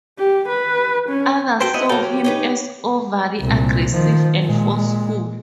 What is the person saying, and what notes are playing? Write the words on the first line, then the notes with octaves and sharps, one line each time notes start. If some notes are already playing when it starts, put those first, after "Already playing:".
Others saw him as overly aggressive and forceful.
G4
B4
C#4
F#4 A4 B4 C5 G5
B3 E4 D#5 F#5
F#3 A#3 A4 G5
G4
C#4 D#4 B4
C2 A#2
D#3 F3
A#2 G#3